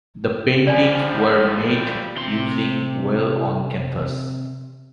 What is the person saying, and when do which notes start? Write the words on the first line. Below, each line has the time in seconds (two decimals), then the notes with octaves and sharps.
The paintings were made using oil on canvas.
0.67 F3 G3 D5 G#5
2.17 C3 C6